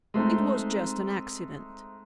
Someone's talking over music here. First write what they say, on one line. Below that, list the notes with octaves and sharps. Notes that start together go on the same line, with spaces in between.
It was just an accident.'
G#3 A3 C4 D#4